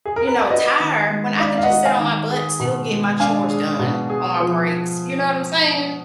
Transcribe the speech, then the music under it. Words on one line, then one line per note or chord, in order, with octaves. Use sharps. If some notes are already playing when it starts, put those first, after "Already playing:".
you know, tired, when I can just sit on my butt and still get my chores done on my breaks. You know what I'm saying?
G#4
A#4
B4
D5
F#4 B4 D#5
D#3
G#3
D#4 D5 F5
F5
D#5 F#5
F#4
F5 G#5
D#3
G#4
B2
G#3
D4 F5 G#5
G#4
B2
G#4
F3